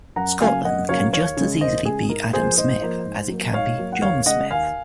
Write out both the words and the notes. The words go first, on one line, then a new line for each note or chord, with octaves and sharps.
'Scotland' can just as easily be Adam Smith as it can be John Smith.
F#2 F#5 A#5
C#3 F#3 A#3 F5 G#5
F#2 D#5 F#5
C#3 F#3 A#3 C#5 F5
D#2 C#5 F5
C#3 G#3
D#2 C5 D#5
C#3 G#3 G#4
G#2 A#4
F3 A#3 G#4 C5
G#2 C5 D#5
F3 A#3
G#2
F#3 A#3
G#2 C#5 F5
F#3 A#3
F#5
D#2 C#5 F5
C#3 G#3 D#5 F#5
D#2 F5 G#5